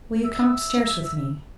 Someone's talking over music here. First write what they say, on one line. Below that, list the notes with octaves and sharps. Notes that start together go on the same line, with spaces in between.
Will you come upstairs with me?
E5